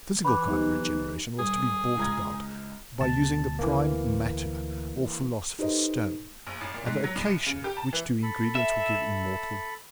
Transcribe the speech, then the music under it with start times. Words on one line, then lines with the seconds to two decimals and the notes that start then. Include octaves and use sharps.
The physical kind of regeneration was to be brought about by using the "prime matter" or philosopher's stone, and the "Acacia," which two ingredients will give immortal youth.
0.25 E3 B5 D6
0.48 B1 D#4 G4 C5
1.39 D#1 G#4
1.97 C#2 A#5 G#6
3.01 D2 B2 A5
3.59 E3 A#3
5.59 D#4 G4 A4 B4 C5 D#5
6.47 A#1
6.61 A1
6.74 A#2
6.86 G#2
7.04 F#3
7.16 C2
7.31 C#7
7.46 C#3
7.64 G4
7.77 A5
7.93 E3
8.23 A4 B5
8.55 E5